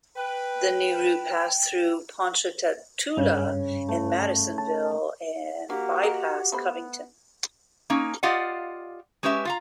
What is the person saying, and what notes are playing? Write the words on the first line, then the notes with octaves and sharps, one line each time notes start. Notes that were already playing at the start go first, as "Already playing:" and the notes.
The new route passed through Ponchatoula and Madisonville and bypassed Covington.
B4 G5
G2 C#3
A3
A5
A#3 D4 F#4 G4
A#4 D#5
A3 B3 C5 B5
A#3 C#4 D#4
F4 G4 D5 D#5 F5 F#5
G#3 C#4 G4 B4 C#5 E5
F4 F5 A#5